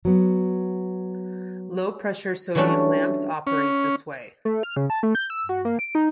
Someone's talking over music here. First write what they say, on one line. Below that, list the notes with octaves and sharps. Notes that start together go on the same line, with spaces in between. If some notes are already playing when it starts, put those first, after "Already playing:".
Low pressure sodium lamps operate this way.
F#3 B3
E3 F#3 G3 A3 C#4 D4
C#4
A3
F6
C#3
A5
A3
G6
E6
F#4
A#3
D7
D#4